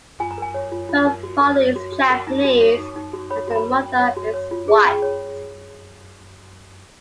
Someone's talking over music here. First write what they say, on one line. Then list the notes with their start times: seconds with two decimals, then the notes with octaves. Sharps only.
Her father is Japanese and her mother is white.
0.20 F4 G#5
0.31 A#5
0.38 A#4 G#5
0.54 C#5
0.72 F4
0.89 F4
1.06 A#4
1.23 F#4
1.41 A#4
1.58 C#5
1.75 F#4
1.92 F#4
2.10 A#4
2.27 D#4 A#5
2.44 F#4
2.61 C#5
2.78 D#4
2.96 D#4
3.13 F#4
3.30 C#5 B5
3.47 F#4 A#5
3.56 B5
3.64 A#4
3.82 C#4
3.99 C#5
4.16 F#4
4.34 C#5
4.51 F4
4.68 G#4
4.85 C#4 B5
5.02 C#5